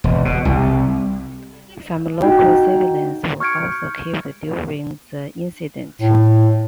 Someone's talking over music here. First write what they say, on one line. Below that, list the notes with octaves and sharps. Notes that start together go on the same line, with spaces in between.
Some local civilians were also killed during the incident.
E1
B2
C2
D#4 F#4 G5
C#6 F6 G6 G#6 C#7 D7
A2